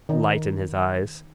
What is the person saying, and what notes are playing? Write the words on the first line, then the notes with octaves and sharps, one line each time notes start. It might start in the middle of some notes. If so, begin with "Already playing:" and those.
Light in his eyes.
D#3 D#4